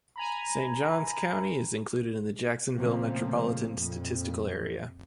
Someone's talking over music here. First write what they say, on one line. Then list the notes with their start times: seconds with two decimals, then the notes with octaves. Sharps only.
Saint Johns County is included in the Jacksonville Metropolitan Statistical Area.
0.16 G#5 A#5 B5
2.77 A#2 C#3 F3 A3 A#3 C4
3.77 F2 A#2